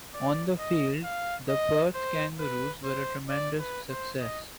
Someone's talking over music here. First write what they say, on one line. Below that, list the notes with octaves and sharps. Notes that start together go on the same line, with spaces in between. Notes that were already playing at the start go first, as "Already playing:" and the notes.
On the field, the Perth Kangaroos were a tremendous success.
D5
D#5
F5
D#5
C5
B4
C5
D5
B4
C5
D#5